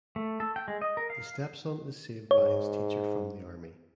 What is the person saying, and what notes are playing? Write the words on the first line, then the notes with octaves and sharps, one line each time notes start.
The stepson is saved by his teacher from the army.
A3
A4
G5
G#3
D#5
A#4
F5
G#2 C#5